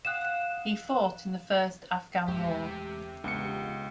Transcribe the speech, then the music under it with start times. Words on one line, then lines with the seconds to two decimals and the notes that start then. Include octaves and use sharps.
He fought in the First Afghan War.
0.05 F5 F#5 D#6 F#6 E7
2.28 E2 G#3 A3 G4 E5
3.24 E1 C#2 B3 D4 C#7